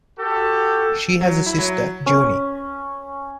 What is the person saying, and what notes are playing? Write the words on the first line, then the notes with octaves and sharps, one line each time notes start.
She has a sister, Junie.
F#4 G4 A4
F#3
E4
F#3
C#4